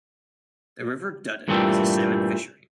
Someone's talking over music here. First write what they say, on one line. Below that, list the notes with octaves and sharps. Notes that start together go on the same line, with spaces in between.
The River Duddon is a salmon fishery.
G2 A#2 E3 G3 A3 C4